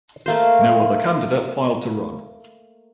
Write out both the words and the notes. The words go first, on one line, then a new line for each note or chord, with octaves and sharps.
No other candidate filed to run.
A3 A#3 C5